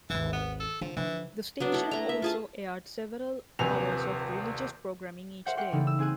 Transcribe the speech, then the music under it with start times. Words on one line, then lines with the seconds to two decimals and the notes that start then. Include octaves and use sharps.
The station also aired several hours of religious programming each day.
0.10 G#1 D#2 E3
0.33 B3
0.60 A4
0.81 D3 F3
0.97 D3 E3 F3
1.60 F#3 B3 D4
1.72 E4 A4
1.91 A3 A#5
2.09 E5
2.22 F4 G#4 A5
3.59 D#1 A#1 C3 B4 G#5 F7
5.45 A#4 C5 E5 F#5 F#6 G6
5.57 G4 A#4 C5 F#5 G5
5.72 C#3 E3 G3 A3 A#3 D#4
5.87 E6
5.99 C4 G#4 G#5 F#6 D#7